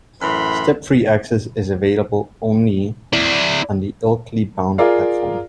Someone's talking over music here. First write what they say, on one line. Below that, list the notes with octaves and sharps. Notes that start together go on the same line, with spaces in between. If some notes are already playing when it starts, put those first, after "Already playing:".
Step-free access is available only on the Ilkley-bound platform.
F#2 A2 E3 B5 C6
E4 D5
F4 G#4 A#4 D5 F5